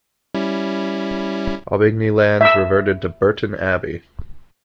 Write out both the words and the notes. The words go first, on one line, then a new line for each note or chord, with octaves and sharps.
Aubigny lands reverted to Burton Abbey.
G3 C#4 E4
E5 E6